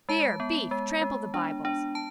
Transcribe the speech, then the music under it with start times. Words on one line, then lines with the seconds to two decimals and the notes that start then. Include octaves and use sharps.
Beer, beef, trample the bibles.
0.09 G#3 A5
0.40 B3
0.71 G#3
1.01 G#3
1.34 D4
1.65 D4
1.95 A5